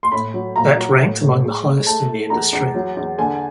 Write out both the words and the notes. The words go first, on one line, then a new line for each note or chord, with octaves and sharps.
That ranked among the highest in the industry.
C6
A2 B5
F#3
A#2 A#5
F#3
A2
A2
G#3
G#3
A3 A5
A3
E2 A#5
E2
F#3
E2
D3 G#5